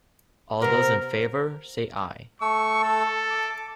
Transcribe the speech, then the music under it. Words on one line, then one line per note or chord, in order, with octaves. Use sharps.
All those in favour, say Aye.
C3 B3 A#4
A3 C#6 E6
A4
D6